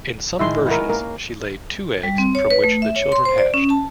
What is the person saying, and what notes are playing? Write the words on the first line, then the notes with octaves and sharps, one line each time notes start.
In some versions, she laid two eggs from which the children hatched.
A2 D#3 G#3 E5 C6
B3 C#4 E4 A#4
A#3 A#4
G3
C4
C#5
B4
A3
E5
C#5
C6
C5
D5
C#4
A5